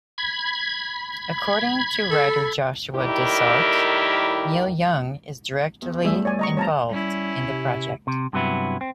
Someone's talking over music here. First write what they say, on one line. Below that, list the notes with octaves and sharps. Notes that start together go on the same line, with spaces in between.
According to writer Joshua Dysart, Neil Young is directly involved in the project.
B5 G#6
A4
A2 D#3 G3 E4 G4 A#4
E2
G3 A3 E4 G#4 E5
C#5 D5 G#5
D#5 A#5 C#6
F3 C4 C#5 A5 A#5
G3 C#4 E4
C3
C3
G2 C3 F#3 B3 E4
C4